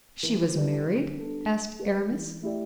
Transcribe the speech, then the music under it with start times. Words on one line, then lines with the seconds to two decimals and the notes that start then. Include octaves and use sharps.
"She was married?" asked Aramis.
0.23 E3
0.54 G3 E4 B4 D5
0.85 D3
1.16 G3 B3 D4 A4
1.48 A3
1.79 G4 B4 D5
2.11 E3
2.42 A3 E4 G4 D5